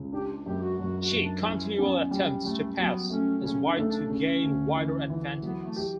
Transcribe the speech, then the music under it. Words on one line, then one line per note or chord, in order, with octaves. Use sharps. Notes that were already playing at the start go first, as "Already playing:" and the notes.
She continually attempts to pass as white to gain wider advantages.
Already playing: C#2 C#3
D4 G4
F#2 G4
F#4
F#2 F#4
F#4
F#2
D4
C#4 E4
B3 C#4
G3
G3 A3
F#3 B3
A3 C#4
C#3 C#4
D4
A3
D4
C#3 C#4
D2
E3
E3
F#3 B3
A3
G4